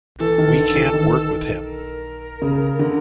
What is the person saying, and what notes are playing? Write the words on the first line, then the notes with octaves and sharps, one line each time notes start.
We can't work with him.
E3 A4
D#3
D3
E3
D#3
A#4
C#3
D3